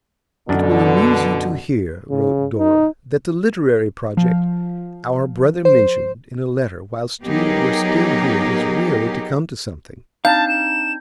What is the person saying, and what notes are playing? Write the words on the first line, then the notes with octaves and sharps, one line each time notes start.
'It will amuse you to hear,' wrote Dora, 'that the literary project our brother mentioned in a letter whilst you were still here is really to come to something.
F#2 B2 D3 D4
C#3
D#4
F3
C5
F#3 B3 D#4 G4 G#4 A#4
C4 D4 D#4 F5 A5 G6
E7